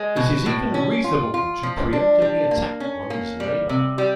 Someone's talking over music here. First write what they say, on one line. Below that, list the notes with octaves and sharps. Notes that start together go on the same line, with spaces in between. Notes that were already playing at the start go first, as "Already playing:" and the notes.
It is even reasonable to preemptively attack one's neighbour.
Already playing: G#3
B2
A2
C#4
F4
F4
F3
D4
G3
A#3
C#4
A#3
G3
C3
G3